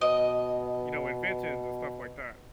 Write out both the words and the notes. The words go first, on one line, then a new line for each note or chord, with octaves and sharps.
you know, inventions and stuff like that.
B2 D#5